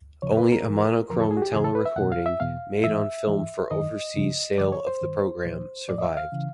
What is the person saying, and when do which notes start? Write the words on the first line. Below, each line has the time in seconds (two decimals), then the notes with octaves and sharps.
Only a monochrome telerecording, made on film for overseas sale of the programme, survived.
0.22 E2 C#3 F3 C#5
0.37 B4
0.52 A#4
0.66 G#2 E3
1.10 F2 D3 F3 A#4
1.20 A4
1.31 G#4
1.37 F#4
1.42 G4
1.53 F2 C#3 E3 G#4
1.64 A4
1.75 B4
1.86 E5
1.96 E2 B2 F#5
2.12 F5
2.26 E5
2.40 E2 B2 F5
2.84 A2 E3 E5
3.28 G#2 E3
3.71 F#2 D#3 D#5
4.14 F#2 C#3 F3
4.58 G2 D3 F3 D5
4.72 C#5
4.87 C5
5.01 G2 D#3
5.45 A#2 F3
5.89 A2 F3 D5
5.98 D#5
6.03 E5
6.17 F5
6.32 C#3 E3